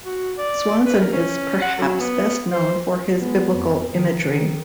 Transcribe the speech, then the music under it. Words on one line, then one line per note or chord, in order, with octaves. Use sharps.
Swanson is perhaps best known for his biblical imagery.
F#4
D5
B4
A#4
C#4
F#5
F#3
B3
C5
G#3 B3
F2
D#3
D#3